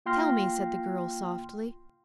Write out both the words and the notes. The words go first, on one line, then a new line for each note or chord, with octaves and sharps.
"Tell me," said the girl softly.
A#3 F4 G5 C6 F6 A#6